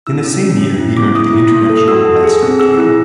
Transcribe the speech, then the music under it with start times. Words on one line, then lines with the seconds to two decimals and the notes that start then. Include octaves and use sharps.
In the same year he earned the International Master title.
0.07 E4 E6
0.24 C#4
0.43 C#4
0.61 C#4
0.79 E4
0.97 B3 D6
1.15 E4 D#6
1.33 E4
1.51 A#3
1.70 A4
1.77 D#6
1.88 F#4 E6
2.05 A4
2.24 G#4
2.42 C4
2.60 G#4 E6
2.78 E4